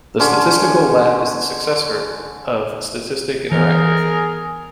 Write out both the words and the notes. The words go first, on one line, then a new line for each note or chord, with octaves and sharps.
The Statistical Lab is the successor of Statistik interaktiv!
D3 C#4 C6
E3 B3 G#4 A#4